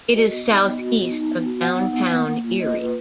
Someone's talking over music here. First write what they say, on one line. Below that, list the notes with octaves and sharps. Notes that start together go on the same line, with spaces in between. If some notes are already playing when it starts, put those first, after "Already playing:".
It is southeast of downtown Erie.
F#4 D#5
B3
D#4
B3
F#4
B3
D#4
B3
F#4
B3 F#5
D#4
B3
A#3
A#3
F4
F4 D#5
A#3 B4